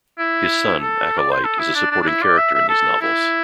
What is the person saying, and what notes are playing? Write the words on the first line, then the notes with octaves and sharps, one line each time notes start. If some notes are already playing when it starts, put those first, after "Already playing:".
His son, Acolyte, is a supporting character in these novels.
E4
A4
D5
C5
A4
E4
D4
D4
D4
E4
D5
E5
E5
A4
E4